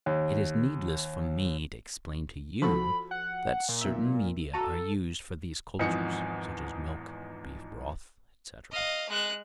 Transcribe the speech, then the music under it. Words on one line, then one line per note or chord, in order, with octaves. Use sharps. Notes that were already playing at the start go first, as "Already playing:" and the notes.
It is needless for me to explain to you that certain media are used for these cultures, such as milk, beef-broth, etc.
D#2
F3 F#4 A4 B5
F#5
A#2
B1 E5
F#4 A4 A#5 D#7
G#1 E2 G#2 F3 D#4 C#7
D#5 F5
G#3 F#6